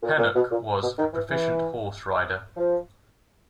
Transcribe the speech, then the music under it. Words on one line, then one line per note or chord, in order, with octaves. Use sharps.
Pennock was a proficient horse rider.
A#2
A#2
B2
A#2
B2
D#3
E3
E3
F3